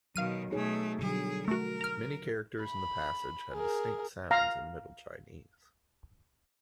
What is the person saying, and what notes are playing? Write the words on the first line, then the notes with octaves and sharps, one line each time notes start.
Many characters in the passage had distinct sounds in Middle Chinese.
B2 D#3 F#3 F5 F6 D#7
B2 A3 D#4 G#4 C#5
B2 D3 F#3 G3 G#4
A3 F#4 A#4
A#5 F6
B5
G#4 A#4
F5 A#5